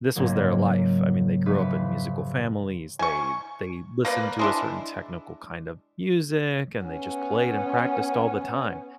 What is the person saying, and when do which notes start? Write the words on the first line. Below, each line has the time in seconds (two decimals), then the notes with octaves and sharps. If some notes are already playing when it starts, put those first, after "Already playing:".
this was their life, I mean, they grew up in musical families, they they listened to a certain technical kind of music, and they just played and practiced all the time.
0.15 G#2 C#3 F#3 A#3
1.46 F1 B4
2.99 G#5 C#6
4.05 A#3 B4 D5
4.39 G#3 D4 E4
6.86 B3 C#4